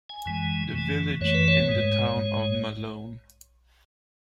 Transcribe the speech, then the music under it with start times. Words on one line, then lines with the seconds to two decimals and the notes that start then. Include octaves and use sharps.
The village in the town of Malone.
0.10 G#5
0.26 F#2 E3 G#3
0.73 F#2 E3 A3
1.21 F#2 E3 A3 C#5
1.35 B4
1.48 C#5
1.69 G#2 G#3
2.16 G#2 G#3